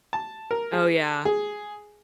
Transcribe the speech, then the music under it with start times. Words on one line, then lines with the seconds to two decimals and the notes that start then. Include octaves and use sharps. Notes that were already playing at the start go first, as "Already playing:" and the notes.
Oh, yeah.
0.13 A5
0.51 A#4
0.73 G#4
1.25 G#4